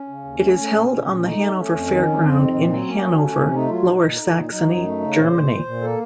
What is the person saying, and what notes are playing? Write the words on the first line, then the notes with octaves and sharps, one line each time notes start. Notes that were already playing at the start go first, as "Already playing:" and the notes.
It is held on the Hanover Fairground in Hanover, Lower Saxony, Germany.
Already playing: C#4
C#3
D#2
A3
A3
A#2
A#2
A#2
A3 D#4
A3
A3 C#4
F2
D#3
F2
F2 C4
D#3
A#2
F#3
A#3 C#4
F#3
A3
C3
A3 D#4
F#3 F4
A#2 D#4
A#2
A3
A#2
F#3 D#4
F#2
A3
C#3
A#2 C5
A#2
A#2
A#2
A#3 A4